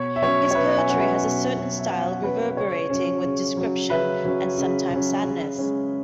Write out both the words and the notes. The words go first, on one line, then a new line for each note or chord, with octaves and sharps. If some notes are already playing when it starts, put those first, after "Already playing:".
His poetry has a certain style reverberating with description and sometimes sadness.
Already playing: B2 C#5
E5
F#3 C#4 C#5
C#5
B2 B4 E5
E5 G#5
F#3 C#4 F#5
B4 E5
B2
F#3 C#4
E5
B2 C#5 F#5
F#3 C#4 B4
C#3 C#5
F#3 C#4
C#3
F#3 C#4
C#3 B4 E5
F#3 C#4
C#3
F#3 C#4
C#3
G#3 C#4